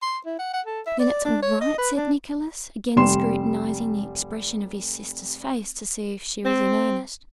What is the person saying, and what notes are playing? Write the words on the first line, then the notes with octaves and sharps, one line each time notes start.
"Then it's all right?" said Nicholas, again scrutinizing the expression of his sister's face to see if she was in earnest.
C6
E4
F#5
F#5
A4
E5
D5
D4
C#5
D#5
B4
D4
F1 G3 C6 E7
C4